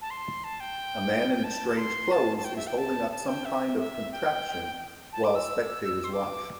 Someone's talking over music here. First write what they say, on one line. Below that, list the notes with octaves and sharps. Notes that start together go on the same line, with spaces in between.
A man in strange clothes is holding up some kind of contraption while spectators watch.
A5
C6
A5
G5
A5
C6
A5
A5
G5
E5
G5
A5
A5
G5
E5
E5
G5
A5
D6
E6
C6
D6